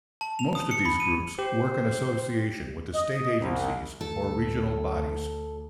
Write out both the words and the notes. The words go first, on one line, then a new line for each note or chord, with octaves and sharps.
Most of these groups work in association with the State Agencies or regional bodies.
A5
F7
D#6
C#7
B5
D#7
G4 C5
D#5
C2
D2 A4